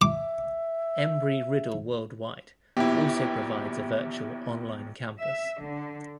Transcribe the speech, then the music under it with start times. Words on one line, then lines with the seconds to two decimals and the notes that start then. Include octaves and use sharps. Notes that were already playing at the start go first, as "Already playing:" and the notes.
Embry-Riddle Worldwide also provides a virtual "online campus".
0.02 E5 D6
2.77 A#1 D#2 B2 B3 E4 G4
5.18 E5
5.61 D3